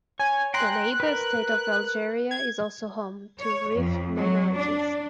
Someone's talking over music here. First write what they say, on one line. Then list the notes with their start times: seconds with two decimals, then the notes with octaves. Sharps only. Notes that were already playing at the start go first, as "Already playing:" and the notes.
The neighbour state of Algeria is also home to Rif minorities.
0.19 C#5 G#5
0.54 G5 A#5 C6 F#6
1.00 A#4 B4
2.31 G#6
3.39 C#5
3.77 F2
4.17 F#3
4.56 D4